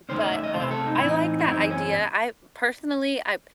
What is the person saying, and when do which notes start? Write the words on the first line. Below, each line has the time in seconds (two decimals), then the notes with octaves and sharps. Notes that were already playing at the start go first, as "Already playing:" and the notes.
but, um, I like that idea, I personally I
0.09 D#2 D#3 A3 C#4 C5
0.21 D#5
0.32 E5
0.43 D#5
0.55 C3 E3 A3 C4 C5
0.71 A4
0.86 D#4
0.95 E4
1.01 A2 E3 C4 D#4
1.40 E4
1.47 F#2 E3 C4 D#4
1.70 C#4